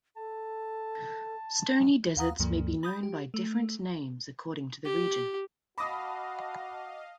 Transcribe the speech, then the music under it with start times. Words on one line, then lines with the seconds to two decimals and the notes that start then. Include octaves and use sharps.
Stony deserts may be known by different names according to the region.
0.17 A4 A5
2.16 D#2 F5 F#5 A#5 D#6
2.39 D2 G2 F3 A#3
2.83 B5 D#6 G6
3.03 G4
3.34 A3
4.85 G4
5.78 F#4 D#5 F5 A5 B5 D6 D#6 A#6